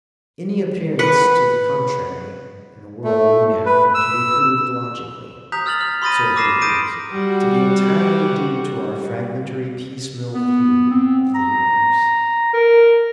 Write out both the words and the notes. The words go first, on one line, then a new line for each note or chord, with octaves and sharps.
Any appearance to the contrary, in the world we know, can be proved logically--so he believes--to be entirely due to our fragmentary piecemeal view of the universe.
B4 F#5
A3
B4
E6
A#5 D#6 F#6 G6 B6 F7
E6 F6 A6 F7 F#7
F6
B5 C6 D#6 A6 A#6 D#7
D6 E6 A#6 C7 E7
D#6 G6 A#6 D7 D#7
G3 F#4
B3
C4
A#5
A#4